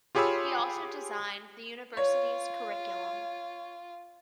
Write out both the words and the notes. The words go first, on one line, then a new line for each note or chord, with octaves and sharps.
He also designed the university's curriculum.
F4 G4 G#4 C#5 B5 E6
F4 C#5